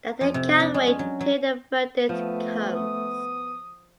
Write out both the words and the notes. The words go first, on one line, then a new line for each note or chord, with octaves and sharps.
That they can wait till the verdict comes.
F2
C3
D4
G#3
C#4
F#3
F#3
F3 A3 B3
D#6